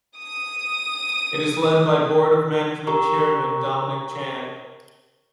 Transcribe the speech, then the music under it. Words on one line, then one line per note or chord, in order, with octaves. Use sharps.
It is led by Board of Management chairman Dominic Chan.
D#6 D#7
G4 A#4 A#5 C#6